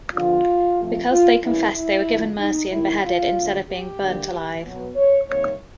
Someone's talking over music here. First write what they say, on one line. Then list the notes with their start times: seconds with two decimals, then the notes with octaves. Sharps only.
Because they confessed, they were given mercy and beheaded instead of being burnt alive.
0.13 D3 F3 G#3 B3 F4
0.78 C3 F3 A3
1.10 F4
1.42 C#3 E3 G3 A#3 E4
1.74 E4
2.06 D3 F3 A3
2.39 D#4
2.70 C3 D#3 F#3 A3 E4
3.03 F4
3.35 D3 F#3 A3
3.67 G4
3.99 D3 G3 A#3
4.63 B2 F#3 B3
4.96 C#5
5.27 C3 D#3 G3 A#3 C#5